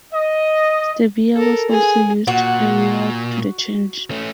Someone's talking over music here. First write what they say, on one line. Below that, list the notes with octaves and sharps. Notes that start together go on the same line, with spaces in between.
Stevia was also used prior to the change.
D#5
A4 A#4
G#4
A#2 F#4
A3 C#4